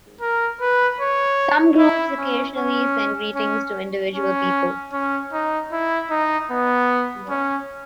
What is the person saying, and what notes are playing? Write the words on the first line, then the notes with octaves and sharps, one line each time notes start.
Some groups occasionally send greetings to individual people.
A#4
B4
C#5
E4
C#4
C#4
C#4
C#4
C#4
D#4
E4
D#4
B3
C#4